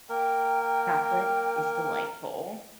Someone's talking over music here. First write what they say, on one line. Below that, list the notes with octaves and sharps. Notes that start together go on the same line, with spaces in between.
Chocolate is delightful.
A#3 A#4 G5